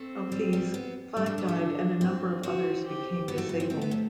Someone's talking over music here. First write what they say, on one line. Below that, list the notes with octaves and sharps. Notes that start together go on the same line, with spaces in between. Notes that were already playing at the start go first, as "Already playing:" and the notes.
Of these, five died and a number of others became disabled.
Already playing: A3 C4
G3
G3
B3
G3 D4
G3
G3
A3
C4
C4 F#4
G4
B3 F#4
A3
B3
C4
A3 C4
B3
C3